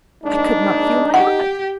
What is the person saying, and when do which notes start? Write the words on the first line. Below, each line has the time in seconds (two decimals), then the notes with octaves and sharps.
I could not feel my heart.
0.24 A#1 G#2 D4 D#4
1.14 G4 F#5